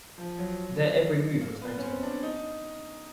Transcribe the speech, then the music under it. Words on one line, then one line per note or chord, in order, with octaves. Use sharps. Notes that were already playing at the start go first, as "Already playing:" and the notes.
Their every move was known to him.
F3
F#3
A#3
B3
C#4
C4
D4
D#4